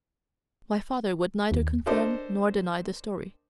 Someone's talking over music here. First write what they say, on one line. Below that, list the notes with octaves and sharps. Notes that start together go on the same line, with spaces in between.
My father would neither confirm nor deny the story.
D#2
D4 G4 A4 A#4 C5 D#5